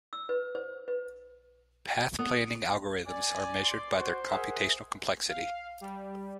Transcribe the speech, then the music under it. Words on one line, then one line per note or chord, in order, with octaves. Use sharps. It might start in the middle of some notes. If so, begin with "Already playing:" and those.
Path planning algorithms are measured by their computational complexity.
E6
B4
C5
B4
B3 D#6
D5 G#5
C6 D6
F#4 C5
G#4 A#4 E5 F#5
F5
G3